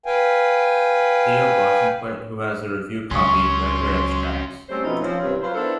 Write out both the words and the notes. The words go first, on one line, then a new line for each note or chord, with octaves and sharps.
Theo Bosanquet, who has a review copy, read her extracts.
B4 F5 G5 G#5
C#2 F#3 C#4 G#5 C6 C#6
G3 A3 C4 C#4 C5
F2 B2 A3 B3 C#4 D#4
F3 C4 C#4
G2 C3 D#3 E3 C4 C#4
F#3 F4 B4 C5
B3 D4 E4 A4 A#4 C5